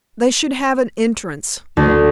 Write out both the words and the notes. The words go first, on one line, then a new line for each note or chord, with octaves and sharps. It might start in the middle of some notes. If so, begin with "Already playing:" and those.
They should have an entrance.
D2